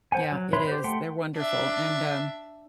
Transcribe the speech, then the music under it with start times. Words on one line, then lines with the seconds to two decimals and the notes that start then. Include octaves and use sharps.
Yeah. It is. They're wonderful, and, um,
0.12 C5 F#5 G#5
0.32 F#3
0.53 B4 C#5 E5 B5 C6
0.68 G4 C5
0.84 A3 F#5 G5 C6
1.36 D4 E5